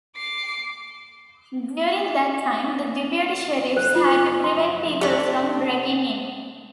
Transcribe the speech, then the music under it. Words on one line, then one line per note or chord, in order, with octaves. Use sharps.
During that time, the deputy sheriffs had to prevent people from breaking in.
D6 C7
C5
F4
C6
A3 D4 G4